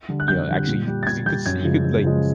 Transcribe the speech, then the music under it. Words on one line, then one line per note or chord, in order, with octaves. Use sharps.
you know, actually 'cause you could s you could, like, s
D3 G3
F#6
F2 G6
D3 G3
A#2
G3
A6
A#2 G#6
G3 G6
F#2 G#6
C#3 F3 G#3
F#2
C#3 F3 G#3